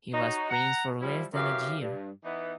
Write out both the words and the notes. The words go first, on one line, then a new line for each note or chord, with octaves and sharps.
He was prince for less than a year.
D#4 F#4 C#5
F#5 A#5
F3 G3 E4
F#2 E3 C#4 G4 A#4 F5
G2
E3 B3 D#4